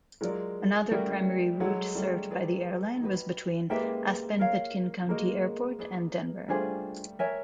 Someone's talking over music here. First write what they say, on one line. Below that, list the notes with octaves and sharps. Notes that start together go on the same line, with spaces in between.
Another primary route served by the airline was between Aspen-Pitkin County Airport and Denver.
F#3 G#3 F4 A#4 D5
G3 A3 C#4 F#4 A#4
F#3 G#3 A4 C#5 F#5
G3 A3
G#4 B4 D5
D#4 F#4 B4
G#3 A#3 G4 B4 E5 G5
A#4 C#5 F5
G#3 A#3 F#4 A#4 D#5
G#4 B4 D5
G3 A3 D4 F4 G#4 C5
A#4 C#5 E5 G#5